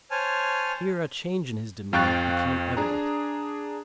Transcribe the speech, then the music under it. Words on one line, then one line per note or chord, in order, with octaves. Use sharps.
Here a change in his demeanor became evident.
C5 C#5 G#5 A5 F6
F2 F5 G5 C#6 F#6 A6
D4 G#4 A#5